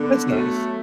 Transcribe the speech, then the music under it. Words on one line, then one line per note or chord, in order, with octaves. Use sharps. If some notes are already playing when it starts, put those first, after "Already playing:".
That's nice.
Already playing: D3 B3
F#3 A3